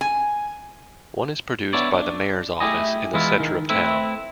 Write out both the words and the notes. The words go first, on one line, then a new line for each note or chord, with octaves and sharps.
One is produced by the mayor's office in the center of town.
G#5
B3 D4 E4 C#5 D5
D4
A3 E4 G4 G#4 D#5
E3 G#3 B3 E4 F4
D#3
A3 C4 E4 B4